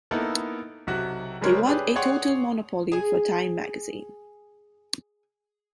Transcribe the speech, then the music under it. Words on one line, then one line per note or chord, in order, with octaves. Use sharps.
They want a total monopoly for Time magazine.
A#3 B3 D#4 E4 A4 A#4
B1 C3 F#4
C#3 G3 G#3 A#4 C5 C#5
C#4 D4 G4 G#4 B4
G#4 C#5 D5 F#5 G5 C6
G#4 G#5